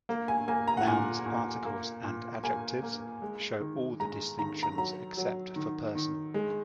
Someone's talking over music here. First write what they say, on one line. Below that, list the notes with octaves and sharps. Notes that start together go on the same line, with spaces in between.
Nouns, articles and adjectives show all the distinctions except for person.
A#3
G#5
A#3 G#5
A#5
F#5
A#2 G#5
A#2
A#3
A#2
A#3 G#5
A#3
G#3
D#3
G#3 A#5
D#3 A#5
A#5
F#3 A#5
F#3
D#3
D#3
G#3